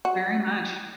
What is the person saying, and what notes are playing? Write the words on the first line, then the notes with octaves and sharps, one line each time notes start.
Very much.
F#4